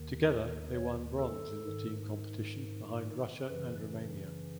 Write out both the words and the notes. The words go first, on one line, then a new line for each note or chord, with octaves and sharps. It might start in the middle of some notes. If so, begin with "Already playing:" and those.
Together they won bronze in the team competition behind Russia and Romania.
Already playing: D#2 D#3
C#5
A4
G#2 D#3
F#2 C#3 E3 B4